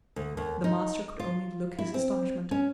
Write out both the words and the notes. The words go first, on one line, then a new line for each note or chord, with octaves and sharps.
The master could only look his astonishment.
D2
D#2
D#4
F4
E4
C4
C#4